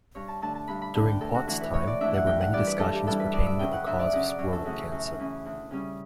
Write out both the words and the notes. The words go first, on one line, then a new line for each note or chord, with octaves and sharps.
During Pott's time, there were many discussions pertaining to the cause of scrotal cancer.
G2 C#5
A5
D3 A3 D4 A5
A5
G2 B5
B5
D3 A3 D4 A5
G5
A2 A4
F#4
E3 A3 D4 F#4
B4
A2 C#5
D5
E3 A3 D4 E5
F#5
G2 G5
F#5
E3 G3 D4 D5
B4
G2 A4
G4
E3 G3 D4 A4
B4
D2 D5
E5
C#3 F#3 C#4 G5
F#5
D2 E5
D5
C#3 F#3 C#4 F#5
D5
F#2 C#5
A4
C#3 E3 A3 C#4 F#4
E4
F#2 F#4
C#3 E3 A3 C#4
D2
C#3 G3 C#4